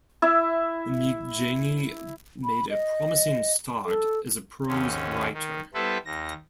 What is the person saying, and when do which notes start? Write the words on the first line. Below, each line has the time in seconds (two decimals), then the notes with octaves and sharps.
Migjeni made a promising start as a prose writer.
0.22 E4 E5
2.44 B5
2.70 D#5
3.85 A4
4.68 D#2 G#2 C#4
5.34 D#3
5.74 G3 B3 E4 A4 B4 C5
6.05 D#2 A#6